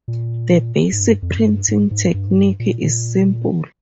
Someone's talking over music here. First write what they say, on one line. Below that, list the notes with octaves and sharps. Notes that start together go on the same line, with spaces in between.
The basic printing technique is simple.
A#2
G#2
G2
F2
G#2
G2
G#2
G#2
G2
G#2
G2
A#2
A#2